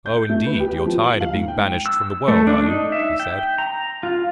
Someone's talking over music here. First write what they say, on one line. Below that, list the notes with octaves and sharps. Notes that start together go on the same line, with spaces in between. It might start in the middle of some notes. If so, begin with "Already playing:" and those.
'Oh, indeed; you're tired of being banished from the world, are you?' he said.
G6
A3
B4
G4
F3
F#7
F5
G#2
G5
E6
A3
D4
D#4
E5
G5
A#5
F4